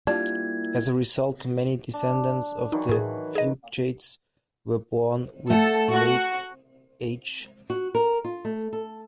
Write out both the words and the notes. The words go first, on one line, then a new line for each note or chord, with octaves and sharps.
As a result, many descendants of the Fugates were born with met-H.
G3 A#3 D4 E4 F4 G#6
D4
D#3 E3 F#3 D#4
A2 G#4
G#4 D#5
A3 A4 F#5 A5
F#4
F#4
A#4
F4
A3
A4